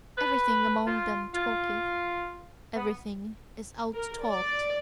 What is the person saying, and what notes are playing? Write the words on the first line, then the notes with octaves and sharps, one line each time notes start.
Everything among them talketh, everything is out-talked.
B4
F4
F4
B3
A#4
D5